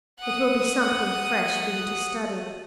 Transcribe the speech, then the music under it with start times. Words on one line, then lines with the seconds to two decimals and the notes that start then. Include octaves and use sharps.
"It will be something fresh for you to study."
0.20 F#5 D#6